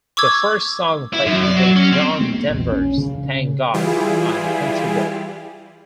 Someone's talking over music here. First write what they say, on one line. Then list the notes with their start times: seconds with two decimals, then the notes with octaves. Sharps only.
The first song played was John Denver's "Thank God I'm a Country Boy".
0.17 C#6 D6 E6 G#6
1.14 E4
1.26 F#2
1.44 D5
1.56 F#3
1.76 C#4
1.92 C4
2.20 G#3 A#3
2.49 A#1 E2
2.72 C#4
2.98 C#3
3.74 E3 G3 E4 F4 G4 G#4